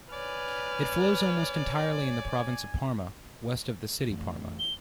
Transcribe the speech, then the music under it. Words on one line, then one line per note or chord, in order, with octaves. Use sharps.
It flows almost entirely in the province of Parma, west of the city Parma.
B4 C#5 D5 G#5 F6
F2 E3 A3
G7